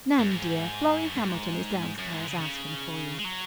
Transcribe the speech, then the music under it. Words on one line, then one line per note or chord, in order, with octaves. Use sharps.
"Nan, dear, Florrie Hamilton is downstairs asking for you."
F#2
G#2
F#2
G#2
F#2
G#2
C#3
C#3
G#3
F#3